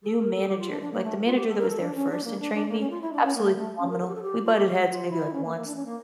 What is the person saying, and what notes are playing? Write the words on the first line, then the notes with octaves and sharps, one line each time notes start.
new manager. Like, the manager that was there first and trained me, absolutely phenomenal. We butted heads maybe, like, once,
A4
A#4
A4
G4
F4
D4
D4
A#3
A3
F4
G4
A4
A#4
A4
D4
C#4
D4
A#3
D4
D4
A#3
C#4
F4
E4
D4
C#4
A#3
A3
A3
C#4
A#4
A4
G4
A4
G4
F4
G4
F4
E4
C#4
A#3
A#3
D4
C#4
A#3